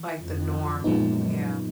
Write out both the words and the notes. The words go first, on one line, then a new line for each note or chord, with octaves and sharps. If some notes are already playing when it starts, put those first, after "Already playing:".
Like the norm. Yeah.
Already playing: E3
F2
F#2 A#2 F3 G#3 B3 D#4